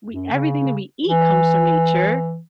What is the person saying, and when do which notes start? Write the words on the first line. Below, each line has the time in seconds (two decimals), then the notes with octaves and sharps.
we everything that we eat comes from nature.
0.13 F#2
0.31 C#3
1.08 E3